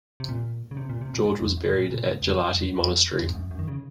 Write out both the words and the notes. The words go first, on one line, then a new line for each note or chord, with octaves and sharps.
George was buried at Gelati monastery.
C3
A#2
C#3
C3
A#2
C3
A#2
G#2
F2
F#2
A#2
A#2
G#2
F2
F#2
F2
F2
F2
G#2
F#2
F#2
D#3
C#3